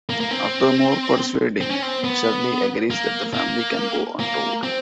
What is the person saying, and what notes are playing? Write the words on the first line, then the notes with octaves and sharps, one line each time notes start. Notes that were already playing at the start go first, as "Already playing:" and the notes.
After more persuading, Shirley agrees that the family can go on tour.
A#3
A#3
C4
C4
C#4
C4
B3
A#3
A#3
A#3
C4